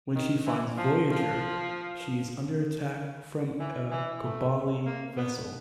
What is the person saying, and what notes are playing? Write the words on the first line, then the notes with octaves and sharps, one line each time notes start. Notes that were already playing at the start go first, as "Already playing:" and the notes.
When she finds "Voyager", she is under attack from a Kobali vessel.
D#3
E3
F3
F3
E3
E3
A3
A#3
B3